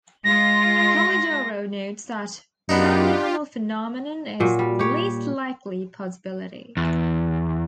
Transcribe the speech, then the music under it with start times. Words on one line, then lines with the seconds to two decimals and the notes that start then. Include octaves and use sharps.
Polidoro notes that Paranormal phenomenon is the least likely possibility.
0.24 G#3 F4 A#6
2.69 F#2 B3 D4 D#4 F4 G4
4.40 A#2 F#3
4.59 G3
4.79 G4 C#5
6.77 E2